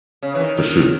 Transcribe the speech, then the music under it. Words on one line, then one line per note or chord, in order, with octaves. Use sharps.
For sure.
C#3
E3
D#3
D#3